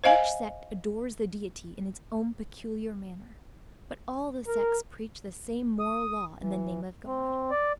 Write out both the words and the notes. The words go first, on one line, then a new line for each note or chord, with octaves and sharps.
Each sect adores the Deity in its own peculiar manner, but all the sects preach the same moral law in the name of God.
C5 D#5 F5 G#5
A#4
D#6
E3
C4
D5